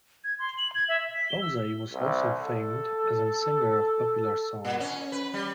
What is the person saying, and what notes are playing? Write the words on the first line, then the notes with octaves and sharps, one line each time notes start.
Bose was also famed as an singer of popular songs.
G#6
C6
F#7
G#6
E5
E5
B6
G7
E6
C2
A4
A#2
C#4
B4
G3